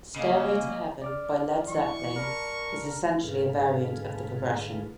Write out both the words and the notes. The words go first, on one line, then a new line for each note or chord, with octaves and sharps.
"Stairway to Heaven" by Led Zeppelin is essentially a variant of the progression.
C#3 A#3 C#4 D#5
D5 D6 F6
E3 C#6
A#4 D5 A5 B5
G#2 D3 G#4 A4 B4 F5